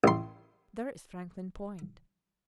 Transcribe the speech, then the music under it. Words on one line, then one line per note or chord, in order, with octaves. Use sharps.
There is Franklin Point.
A1 C6